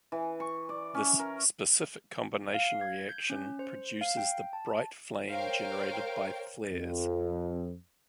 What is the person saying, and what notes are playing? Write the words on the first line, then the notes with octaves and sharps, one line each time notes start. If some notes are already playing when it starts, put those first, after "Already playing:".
This specific combination reaction produces the bright flame generated by flares.
E3
C#6
D5
C#4
A#4
F5
G#6
G6
C#4
C5
F5
G5
A5
A#4 C5 C#5 F5 G5
F2